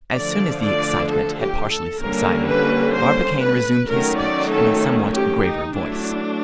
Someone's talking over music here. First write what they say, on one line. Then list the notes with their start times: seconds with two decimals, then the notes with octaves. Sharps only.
As soon as the excitement had partially subsided, Barbicane resumed his speech in a somewhat graver voice.
0.15 D3 F3 A3 D5
0.62 D5
1.09 A4
1.39 G4
1.71 A4
2.01 D3 G3 A#3 C#4 A#4
2.48 B4
2.95 C5
3.42 B4
3.89 D#3 F#3 A3 C#4 A#4
4.19 D5
4.50 A4
5.13 G4
5.44 D#4
5.75 F#3 A3 D4 E4